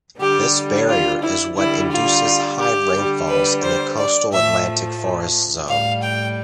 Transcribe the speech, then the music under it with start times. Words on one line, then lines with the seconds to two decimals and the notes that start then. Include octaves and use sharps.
This barrier is what induces high rainfalls in the coastal Atlantic forest zone.
0.19 D3 G3 G4
0.88 F4
1.21 E4
1.56 D3 G3 E4
1.90 F4
2.59 G4
2.93 D3 G3
3.27 B4
3.62 C5
3.96 D5
4.30 A2 F3 A3 E5
5.67 A2 G3 F5
6.01 G5